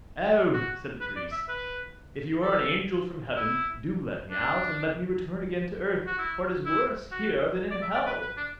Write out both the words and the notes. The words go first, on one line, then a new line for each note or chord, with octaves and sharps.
'Oh!' said the Priest, 'if you are an angel from heaven, do let me out, and let me return again to earth, for it is worse here than in hell.
F#4
B4
D5
E5
B4
A4
E4
D4
F#4
E4
E4
F#4
D5
E5
D5
B4
B4
D4